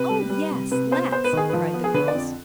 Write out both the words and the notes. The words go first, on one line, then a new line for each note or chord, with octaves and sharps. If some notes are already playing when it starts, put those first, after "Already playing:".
"Oh, yes, let's!" cried the girls.
Already playing: C3 B4
G3
G3
C3
C3 B4
B3 C5
B3 C5
B4
D#3 G#4
F3 B4
B3
G#4
D3 B4
D5
F2